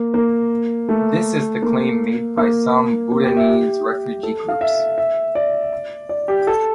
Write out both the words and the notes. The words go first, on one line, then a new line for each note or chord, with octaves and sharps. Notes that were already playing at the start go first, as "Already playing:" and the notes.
This is the claim made by some Bhutanese refugee groups.
Already playing: A#3
A#3
A3
A#3
A#3
A#3
G4
E5
G4
A4
F5
E5
E5
D5
D5
G4
A4